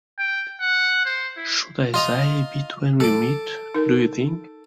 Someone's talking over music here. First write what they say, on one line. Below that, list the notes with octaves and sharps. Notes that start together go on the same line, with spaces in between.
Should I sigh a bit when we meet, do you think?
G5
F#5
C5
E4
F4 D#5 A#5 C6
A4 A5 D6
D#4 A#4